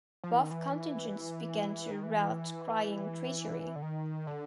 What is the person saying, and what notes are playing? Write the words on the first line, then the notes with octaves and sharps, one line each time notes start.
Both contingents began to rout crying 'treachery'.
F3
E3
D#3
E3
D#3
E3
D3
D#3
D3